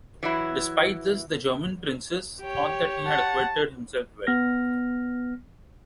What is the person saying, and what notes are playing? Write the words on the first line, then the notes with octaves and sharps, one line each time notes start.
Despite this, the German princes thought that he had acquitted himself well.
E3 F#3 E4
G4 C#5 G5
F#5 A5
B3 F6 A#6